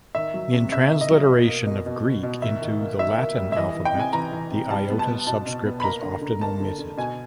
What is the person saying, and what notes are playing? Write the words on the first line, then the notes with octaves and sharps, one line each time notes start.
In transliteration of Greek into the Latin alphabet, the iota subscript is often omitted.
D#3 E5
F#3
C3
C3 E5
D#3
D#5
F#3
B2
A#3
B2
B2
B2
B2
D#3 E5
D#3
A#3
D#3 E5
A#3
G3
E5
E3 D#5
E3
G5
C3
G#5
E3 A#5
E3
C3
G3 A5
B3
A5
B3
B2 A5
B2
B3
B5
A#3 A#5
D3
D3
A#3 A5
D3
D3
B2 G#5